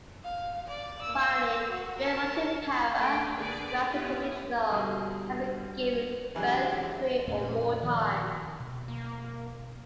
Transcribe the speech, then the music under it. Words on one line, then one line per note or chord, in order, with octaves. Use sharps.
Finally, "grand multipara" describes the condition of having given birth three or more times.
F5
D5
A#3 E6
F#4
A#4 A5
A3 D4 G5 G#5
D3 A#3 G#4 B4 D5
B3 C#4 E4 F4 G4 B4
G2 B2 D3
C3 E3 F#3 G#3 D4
F2 A#2 A3 C#4
D#3 F3
B2
A#3